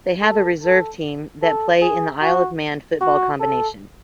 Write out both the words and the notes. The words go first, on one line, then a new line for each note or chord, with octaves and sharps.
They have a reserve team that play in the Isle of Man Football Combination.
A4
A4
A4
G#4
F#4
F#4
A4